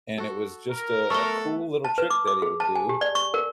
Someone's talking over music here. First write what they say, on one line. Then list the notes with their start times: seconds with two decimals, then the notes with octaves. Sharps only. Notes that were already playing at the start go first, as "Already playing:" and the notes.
and it was just a a cool little trick that he would do,
0.18 F#4 A4
0.71 A#4
1.10 A3 B3 A4 F#5 C#6 G7
1.85 A5
1.98 B4
2.10 D6
2.27 D6
2.42 G#4
2.60 A5
2.76 G#5
2.89 G4
3.01 D5
3.15 C#6
3.34 A#4